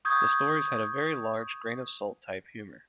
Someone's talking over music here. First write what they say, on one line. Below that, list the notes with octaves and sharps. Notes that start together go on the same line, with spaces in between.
The stories had a very large grain-of-salt-type humor.
C#6 D#6 G6 G#6